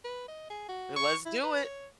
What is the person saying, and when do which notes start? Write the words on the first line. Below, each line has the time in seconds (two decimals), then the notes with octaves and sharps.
Let's do it.
0.04 B4
0.28 D#5
0.50 G#4
0.68 F#4
0.96 C#6
1.26 E4
1.43 B4
1.65 C#5